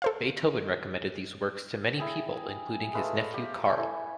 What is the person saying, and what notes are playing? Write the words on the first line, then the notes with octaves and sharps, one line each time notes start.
Beethoven recommended these works to many people including his nephew Karl.
A4 C5 F5
E4 G#4 G5
G#3 A3 B4 F5
G4
A3 G5 G#5
E4